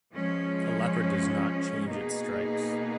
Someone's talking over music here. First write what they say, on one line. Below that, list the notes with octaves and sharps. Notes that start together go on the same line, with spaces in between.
A leopard does not change its stripes.
F3 G#3 C#4
B2 A#3 D#4 G#4